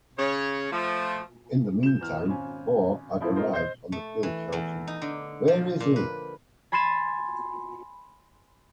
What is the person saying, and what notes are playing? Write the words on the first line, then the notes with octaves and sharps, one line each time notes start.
In the meantime, Baugh had arrived on the field shouting 'Where is he?
C#3 C#5
F3 A3
G6 E7
E2 F6
G#1 C#4 G#5
A2 F3 E4
C4 D#4 F4 A#4 C5
C5 D#5 G6 C7
A3
E3
E2
D#4
D3
F3
A#2
B4
G#5 B5 C6 A6 D#7 E7